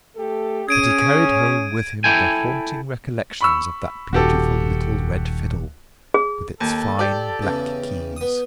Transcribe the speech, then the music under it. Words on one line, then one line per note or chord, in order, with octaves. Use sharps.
But he carried home with him the haunting recollections of that beautiful little red fiddle, with its fine black keys.
A3 G4 A4
C#4 G#4 G#6 D7 D#7
E4 A4 G5 G#5
B5 C#6 E6
D#1 F#4 G4 A4
G#4
D#2 A4
G4 D5
E2 C#3
B3 D#6